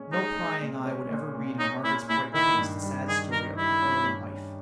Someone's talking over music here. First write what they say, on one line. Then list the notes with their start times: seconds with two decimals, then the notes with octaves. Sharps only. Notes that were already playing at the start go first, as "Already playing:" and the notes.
No prying eye would ever read in Margaret's bright face the sad story of her early life.
Already playing: A#2 G#3 C#4
0.12 G#3 D#4
0.36 G#3
0.62 A#2
0.85 C#4
1.10 A#2
1.35 A#2
1.59 C#4 D#4
1.84 A#2 E4
2.09 A#2 E4
2.34 D#3 E4
2.58 G2
2.83 G3
3.08 D#3 G#4
3.32 D#3 A#4
3.57 G3 E4
3.82 C#4
4.06 G2
4.32 C#4